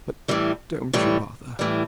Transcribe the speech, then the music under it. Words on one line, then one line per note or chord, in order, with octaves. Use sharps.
But don't you bother.
A2 E3 G3
A2 E3 G3
A2 E3 G3